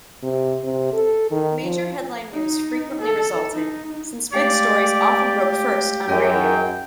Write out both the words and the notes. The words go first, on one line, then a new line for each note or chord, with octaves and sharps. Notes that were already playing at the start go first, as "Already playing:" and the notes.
Major headline news frequently resulted, since big stories often broke first on radio.
C3
C3
A4
D#3
F3
D#4
A4
D#4
G#3 A3 G4 D5 F5
F#2 G#4 A#4 D#5 G5